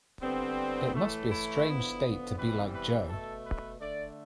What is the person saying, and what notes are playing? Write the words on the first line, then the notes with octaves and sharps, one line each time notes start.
It must be a strange state to be like Jo!
D3 G3 B3 C4
A2 E3 A3
E4
D3 F3 B3
C3 E3 G3 B3 B4
B4
B2 A3 A4
B4
D3 A3 D5